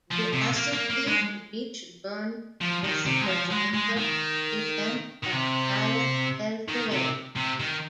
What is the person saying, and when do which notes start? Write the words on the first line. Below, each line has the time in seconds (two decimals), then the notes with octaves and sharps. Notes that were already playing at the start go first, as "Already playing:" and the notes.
The Assateague Beach Burn was the progenitor event of Playa Del Fuego.
0.11 F3
0.33 C3
0.56 A#3
0.73 A#3
0.90 A#3
1.08 G#3
2.61 F3
2.84 D#3
3.06 C3
3.21 G#3
3.28 F3
3.51 G#3
3.74 G#3
3.97 D#3
5.24 D#3
5.33 C3
6.69 D#3
6.92 C3
7.36 C3
7.60 D#3